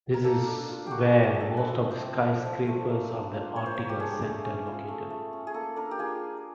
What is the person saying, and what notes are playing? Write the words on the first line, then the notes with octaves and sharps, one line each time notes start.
This is where most of skyscrapers of Ortigas Center located.
A#4
A#3 A4
D4
F4
A#3 F#4 G4
A#3
G#4
D4
A4
F3 B4
A3
C5
C4
F3
F3
A3
A#3
D4
F4
A#3 C#5
C5
A#3 C#5
G4
D4 G#4
G4
A3 G#4
C#4
F4
A3
A3
C#4
G#4
A#3 A4
D4 A#4
G4
F4 G#4